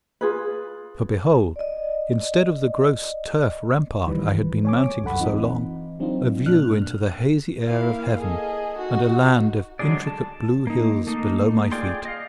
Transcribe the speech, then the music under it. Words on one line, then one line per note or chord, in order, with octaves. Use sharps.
For behold, instead of the gross turf rampart I had been mounting for so long, a view into the hazy air of heaven, and a land of intricate blue hills below my feet.
F4 G#4 B4
D5 D#5
C#2 D#3 E3 G3 B4
C#5 G#5 D6
C2 F#2 A4 F#5 B5
E3 C4 D#4 F4
F#3 C4 D4 D#4 F4
A#2 D4 F6 F#6
A#3 E4 F5
G#4 A4 D#5
D#4 F#4
D3 F#3 G#3 G#4 D5
A5
A#3 D#4
A3 A#3 D#4
F4 G#4 D5 G5 C6
D#5 F5